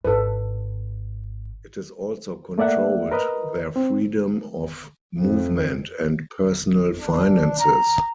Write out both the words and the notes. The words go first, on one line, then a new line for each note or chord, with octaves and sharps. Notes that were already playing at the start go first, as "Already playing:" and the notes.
It also controlled their freedom of movement and personal finances.
G#1 A4 B4
A3 A#3 D5 E5 F#5
A#4 B4 D#5
C4
F2
D4
A#5